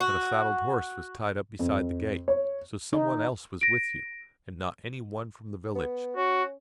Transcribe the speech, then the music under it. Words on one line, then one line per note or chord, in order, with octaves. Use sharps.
But a saddled horse was tied up beside the gate. So some one else was with you, and not any one from the village.
F#4
F2
C#5
D#4
A#6 D7
B3
C#4 F#4